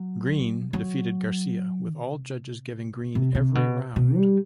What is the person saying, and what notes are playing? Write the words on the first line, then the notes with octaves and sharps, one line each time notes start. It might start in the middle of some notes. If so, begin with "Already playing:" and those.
Green defeated Garcia with all judges giving Green every round.
Already playing: F#3
F#3
C3
C3
C3
B2
B2
G3